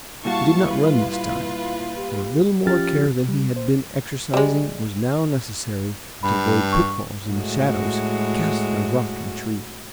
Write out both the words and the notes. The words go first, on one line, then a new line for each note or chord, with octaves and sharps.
He did not run this time, for a little more care than he had been exercising was now necessary to avoid pitfalls in the shadows cast by rock and tree.
A#2 G3 E4 F#4 F5 A5 C#6
F4 B4
G4
F3 C#4 F4 G4 F6 A6
G3
C5
G3 G#3
G2 B5
C#6
A2 G#3 F#4